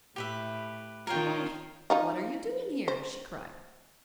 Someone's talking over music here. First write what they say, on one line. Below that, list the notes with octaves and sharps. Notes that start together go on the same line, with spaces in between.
"Why, what are you doing here?" she cried.
A2 G4 B4 E5
D#3 F4 A#4 C#5 G5
F3 D#4 F4
C5